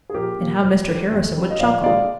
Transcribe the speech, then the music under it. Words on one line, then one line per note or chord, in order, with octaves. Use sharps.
And how Mr. Harrison would chuckle!
G#4
A#1 G4 A#4
A#2 F3 A#3
F1
F2 D3
D#2
D3 G3 C4
D#5
A#1 D5 F5
A#2 G#3 D5 F5